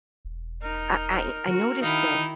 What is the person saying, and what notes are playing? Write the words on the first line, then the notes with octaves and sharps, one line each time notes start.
I I I noticed that
E1
D#4 A#4
D3 F#4
D#3 D#4 E4 F5